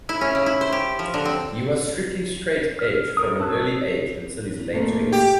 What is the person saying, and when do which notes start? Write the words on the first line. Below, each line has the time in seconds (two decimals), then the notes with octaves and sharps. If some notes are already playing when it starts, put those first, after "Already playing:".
He was strictly Straight Edge from an early age until his late twenties.
0.09 E4
0.21 C#4
0.35 C#3
0.46 E4
0.61 C5
0.72 G4
0.99 F3
1.14 D3
1.25 C4
2.79 F6
3.17 A4 A#4 D#6
3.40 F#3 A5 E6 F#6
4.73 A#2 A3 A#3
5.12 G4